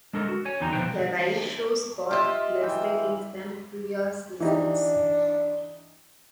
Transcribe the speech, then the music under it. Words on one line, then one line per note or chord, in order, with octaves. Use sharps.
The live shows got less ratings than previous seasons.
G#3 D4 A4 A#4
F#4
C#5 G#5
E2 D3 F#3 D#4 G5 A#5
B2 F3 B4 C5 G5
F4 G4 D#5 E5
E3 G5
E3 D4 D#4 G4